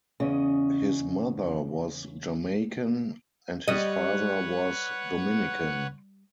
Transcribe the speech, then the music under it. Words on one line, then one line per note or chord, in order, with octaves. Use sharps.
His mother was Jamaican and his father was Dominican.
E2 C#3 C#4 D#5
G3 B4 C#5 D#5 F#5